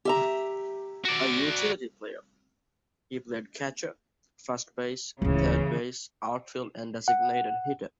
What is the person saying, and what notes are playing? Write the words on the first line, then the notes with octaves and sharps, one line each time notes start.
A utility player, he played catcher, first base, third base, outfield and designated hitter.
G4 E5 A#5
F#4 D5
D1 C#2 C#3 E3
F#5